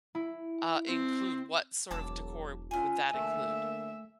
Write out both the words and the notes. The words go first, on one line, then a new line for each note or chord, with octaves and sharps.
uh, include? What sort of decor would that include?
E4
C4
E1 F#3 A5 D6 E6
C#4 F4 G#5 F6
D3 A3 A#3 E5